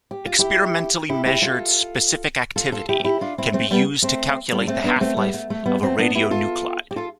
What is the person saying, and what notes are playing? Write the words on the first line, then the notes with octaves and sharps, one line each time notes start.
Experimentally-measured specific activity can be used to calculate the half-life of a radionuclide.
G4
F4
E4 G4
E4 G4
E4 G4
F4 A4
F4 A4
F4 A4
E4 G4
A4
E4 G4
D4 F4
C4 E4
A3 C4
G3 B3
A3 C4
G3 B3
D4
A3 C4
B3 D4
D4
A3 C4
G3 B3
A3
A3
G3 B3
A3 C4
B3 D4
E4 G4
F4 A4
G4
F4 A4